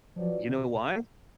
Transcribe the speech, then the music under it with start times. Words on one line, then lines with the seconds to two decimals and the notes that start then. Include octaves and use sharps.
you know why?
0.16 F3 F#3 C#4 F4 B4 D5
0.49 C#3
0.57 B2